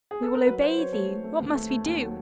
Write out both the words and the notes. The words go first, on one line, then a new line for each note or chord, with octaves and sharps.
We will obey thee, what must we do?
G#4
A4
A#4
F#3 B4
F#3 C5
F#3 C#5
A3 C#5
A3
A3
D#2
A3
A3
D#2
F#3